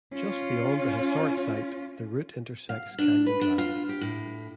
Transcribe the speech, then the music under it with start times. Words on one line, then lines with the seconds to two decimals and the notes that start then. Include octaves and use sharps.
Just beyond the historic site, the route intersects Canyon Drive.
0.14 C#4 F4
2.69 F5
2.98 D4
3.26 B4
3.41 D4
3.58 F4
3.89 G4
4.01 A2